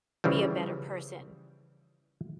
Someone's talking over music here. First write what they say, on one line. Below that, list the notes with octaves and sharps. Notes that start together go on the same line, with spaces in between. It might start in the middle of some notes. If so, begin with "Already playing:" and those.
be a better person.
C#3 E3 F3 G3